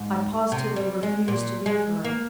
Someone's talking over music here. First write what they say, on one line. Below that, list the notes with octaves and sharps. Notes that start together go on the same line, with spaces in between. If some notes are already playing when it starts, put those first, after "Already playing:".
I positively refused to leave her.
Already playing: G#2
C3
G3
G#3
A#2
G#3
A#3